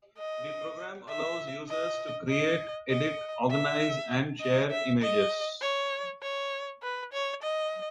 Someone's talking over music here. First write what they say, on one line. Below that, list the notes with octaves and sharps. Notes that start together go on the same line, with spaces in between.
The program allows users to create, edit, organize and share images.
D#5
E5
D#5
D#5
D#5
E5
D#5
E5
D#5
C#5
C#5
B4
C#5
D#5